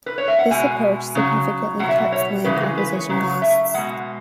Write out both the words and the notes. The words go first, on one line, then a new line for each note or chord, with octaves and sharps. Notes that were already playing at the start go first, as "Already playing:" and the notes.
This approach significantly cuts land acquisition costs.
B4
C#5
E5
F#5
B2 G#3 G#5
C#3 F#3
B2 F#3 F#5
E5
F#5
C#5
C#3 E3 G#3 B4
F#4
G#4
B4
C#5
C#3 F#3
E5
B2 G#3 F#5